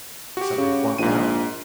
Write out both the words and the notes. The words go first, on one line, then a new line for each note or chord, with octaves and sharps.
Somebody flunked out?
F#4 G4
C#3
A#1 G#2 D#7